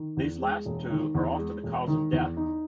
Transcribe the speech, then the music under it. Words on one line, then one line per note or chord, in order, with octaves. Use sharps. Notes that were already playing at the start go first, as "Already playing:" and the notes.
These last two are often the cause of death.
Already playing: D#3
E2
G#3
E1
D#3
E2
G#3
E1
D#3
E2
D#4